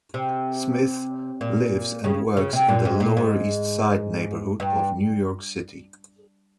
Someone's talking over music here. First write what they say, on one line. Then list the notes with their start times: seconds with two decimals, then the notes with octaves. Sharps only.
Smith lives and works in the Lower East Side neighborhood of New York City.
0.14 C3
1.41 A#2
2.04 C#3
2.37 C#3
2.53 C3
2.69 A#2
2.85 G#2
3.00 A#2
3.17 G#2
4.60 G2